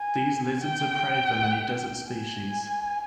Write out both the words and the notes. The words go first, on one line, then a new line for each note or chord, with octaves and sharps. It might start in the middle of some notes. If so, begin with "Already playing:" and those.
These lizards are prey for many desert species.
Already playing: G#5
G5
G#5